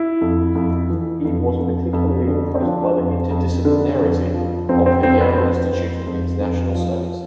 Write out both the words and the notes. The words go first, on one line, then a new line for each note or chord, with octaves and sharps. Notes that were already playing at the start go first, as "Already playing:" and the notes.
He was particularly impressed by the interdisciplinarity of the Yale Institute of International Studies.
Already playing: E4
F2
F2
E3
F2
F2
F2
D3
C4
F3 D4
F2
F2
D3
F2
F3
F2 C4
C4
F2 C4
B4
F2 C5
F2
F2
F2
F3